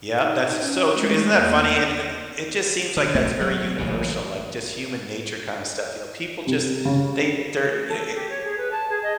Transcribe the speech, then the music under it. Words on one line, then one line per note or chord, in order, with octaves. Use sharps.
Yep, that's s so true, isn't that funny, and and it just seems like that's very universal, like, just human nature kinda stuff, you know? People just they they're y
D#4
C#4
G#3 A3
E2 A#3 B3 G6
D3
B1 A3 B3
F#3 A3
A1 A#2 C#3
C3
C#3
A4
G4
C#5
G#4
B4
A5
G#4
D#5